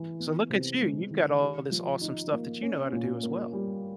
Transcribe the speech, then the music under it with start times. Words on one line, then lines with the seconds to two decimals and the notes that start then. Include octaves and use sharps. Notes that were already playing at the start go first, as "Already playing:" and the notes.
So look at you, you've got all this awesome stuff that you know how to do as well.
Already playing: E3
0.20 B3
0.50 C3
0.80 G#3
1.11 D#3
1.41 G4
1.71 F3
2.01 D#4
2.32 A#3
2.62 C#4
2.92 A#2
3.23 A#3
3.53 G3